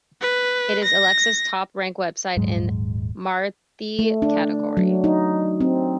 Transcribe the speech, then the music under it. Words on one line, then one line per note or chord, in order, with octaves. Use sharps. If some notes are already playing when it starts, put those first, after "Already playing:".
It is Alexa's top ranked web-site in Marathi category.
B4
A#6
D#1 G#2 F#3 G#3
A3
D4
F#3
D#4
C4